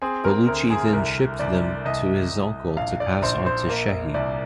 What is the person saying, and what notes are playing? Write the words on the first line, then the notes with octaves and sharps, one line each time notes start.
Baluchi then shipped them to his uncle to pass onto Shehhi.
C4 G#4
A#4
D2 A#4
G#4
C2 A#4
C2 D5
C2 D#5
C2
A#1 F5
D5
A#1 C5
C5
A#3
C2 D5